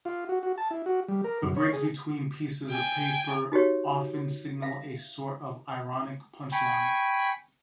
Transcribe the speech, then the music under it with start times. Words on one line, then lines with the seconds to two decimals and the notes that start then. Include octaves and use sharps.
The breaks between pieces of paper often signal a sort of ironic "punchline".
0.05 F4
0.29 F#4
0.43 F#4
0.58 A5
0.71 E4
0.86 F#4
1.08 G3
1.24 A#4
1.43 F#2
1.56 C#5
1.73 G#4
2.71 G5 G#5
3.52 D#4 F#4 G4 C#5
4.62 E5 F5
6.52 G5 G#5 B5 C#6